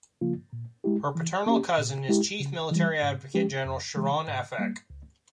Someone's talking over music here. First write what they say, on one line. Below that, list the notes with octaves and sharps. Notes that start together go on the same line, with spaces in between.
Her paternal cousin is Chief Military Advocate General Sharon Afek.
C#3 F3 A#3 F4
A#2
G#3 E4 G4
E3
A#3 C#4 G4
A#2
G#3 E4 G4
C#3
E3 G3
G#2
F3 G#3 C#4 G4
F2
E3 G#3
G#2
G3 A#3
C#2